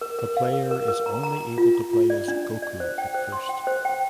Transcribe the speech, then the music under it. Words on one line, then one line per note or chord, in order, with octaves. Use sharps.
The player is only able to play as Goku at first.
A#4
A#4
F5
A#4
A#4
A#4
A#5
A#5
A#5
F4
A#5
F4
D5
D4
D5
D5
C5
G5
C5
C6
G5
C5
G5